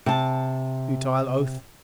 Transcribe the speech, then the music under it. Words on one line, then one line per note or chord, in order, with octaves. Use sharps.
Futile oath!
C3 A5